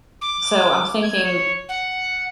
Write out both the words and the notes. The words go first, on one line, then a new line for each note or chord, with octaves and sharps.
So, I'm thinking
D6
G#6
C#5
F#5